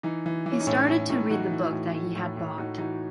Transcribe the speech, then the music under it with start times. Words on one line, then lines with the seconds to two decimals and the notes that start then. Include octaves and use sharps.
He started to read the book that he had bought.
0.03 E3 D#4
0.26 E3
0.46 E3
0.52 C#4
0.60 D#4
0.67 A2 C#4 E4
0.89 A2 C#4 E4
1.09 A2 D#4
1.30 E3 D#4 F#4
1.51 E3
1.72 A2
1.94 A2
2.15 A2
2.37 A2
2.58 A2 D#4 F#4
2.78 E3 D#4 F#4